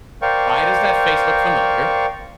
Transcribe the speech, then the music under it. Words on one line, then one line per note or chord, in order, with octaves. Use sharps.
"Why does that face look familiar?"
A#4 C5 D5 F5 G5 C#6